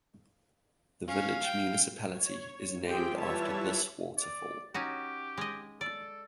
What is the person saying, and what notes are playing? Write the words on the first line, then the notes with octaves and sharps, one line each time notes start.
The village municipality is named after this waterfall.
C#4 F5
G5
C#5
C4 F4 G4 G#4 G5
E3 G3 F4 C#5 E5 A5
D5
C#4 D#4 F#4 G4
G#3 D#5
A4 D5